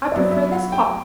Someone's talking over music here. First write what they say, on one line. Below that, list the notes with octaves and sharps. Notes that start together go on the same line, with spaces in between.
I prefer this hock.'
F#3 B3 E4 D5
E5
F#5
G5